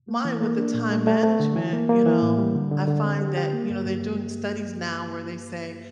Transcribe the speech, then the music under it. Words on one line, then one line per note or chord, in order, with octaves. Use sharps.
mine with the time management, you know, I find that, you know, they're doing studies now where they say
A#3
E3
A#3
D4
A#2
A3
A3
A3
D3
E3
A#3
A#3
E3
A2
G3
D3
D3
D3
C4
G4
G4
A#3
G2
G2